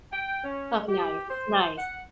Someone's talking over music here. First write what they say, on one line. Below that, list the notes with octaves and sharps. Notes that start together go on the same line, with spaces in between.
Oh, nice, nice.
G5
C#4
G4
C5
F#5